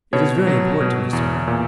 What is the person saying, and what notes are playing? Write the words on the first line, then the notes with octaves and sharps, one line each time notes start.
"It is very important to me, sir."
B2 C#5
F#3
B2
E2
A#2